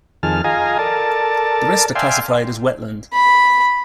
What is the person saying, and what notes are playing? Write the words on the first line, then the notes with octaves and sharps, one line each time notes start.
The rest are classified as wetland.
F2 D#3 G#4 A5 F6
F4 G#4 D#5 F5 G#5 A#5
A4 A#4 D5 A5
D5 E5 F5 G5 G#5 C6
B5